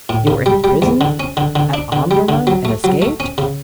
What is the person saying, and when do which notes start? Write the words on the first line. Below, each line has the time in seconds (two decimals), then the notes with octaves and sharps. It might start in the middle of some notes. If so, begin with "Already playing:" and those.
You were in prison at Omdurman and escaped?
0.09 A2
0.27 C#3
0.46 G3
0.64 G3
0.82 E2
1.01 D3
1.20 C#4
1.37 D3
1.55 D3
1.74 D4
1.92 D3
2.11 G3
2.29 D3
2.47 F#3
2.65 A3
2.84 F#3
3.02 A3
3.20 C#4
3.38 C#3